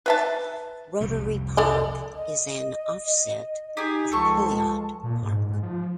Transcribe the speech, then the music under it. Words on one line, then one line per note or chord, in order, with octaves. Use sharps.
Rotary Park is an offset of Pilliod Park.
B4 E5 A5
F1 C2 G3
A4 D5 D#5
D#5
D#4 G4 G#4
C#2 F3 G#3 A4 A5 C6 C#6
A#2
G#2
G#2
F3